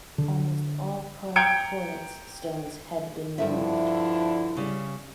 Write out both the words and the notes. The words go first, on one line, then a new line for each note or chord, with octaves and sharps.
Almost all carved porites stones had been removed.
D3
G5 A#5 G6 G#6 C#7 D7
G2 B2 D3 F3 E4 E5
C#3 G3